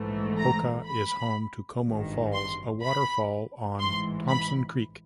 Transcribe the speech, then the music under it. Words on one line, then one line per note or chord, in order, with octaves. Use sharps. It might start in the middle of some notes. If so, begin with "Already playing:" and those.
Hokah is home to Como Falls, a waterfall on Thompson Creek.
Already playing: A#1 G#2 E3 A3
A#5
B5
G#1 G2 D#3
C6
B5
A1 G#2 E3 C6
B5